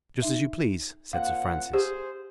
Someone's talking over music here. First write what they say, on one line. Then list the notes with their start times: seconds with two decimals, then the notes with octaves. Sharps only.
"Just as you please," said Sir Francis.
0.22 D#4 E5
1.13 A#2 C4 F5 F#5
1.74 G4 G#4 C5